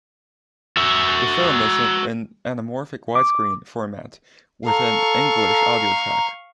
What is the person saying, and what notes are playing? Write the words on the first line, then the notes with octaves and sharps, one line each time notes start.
The film is in anamorphic widescreen format with an English audiotrack.
F#4 E5
D6
A4 F5 A#5 C#6